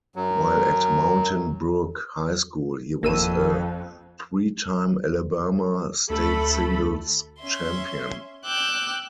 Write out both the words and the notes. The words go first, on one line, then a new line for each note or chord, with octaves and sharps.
While at Mountain Brook High School, he was a three-time Alabama state singles champion.
F#2 F#3
G#1 F2 A#3 E6 D#7
D2 A3 A4 B5
C#4 E5 C6
G5 D6 E6 F#6 G6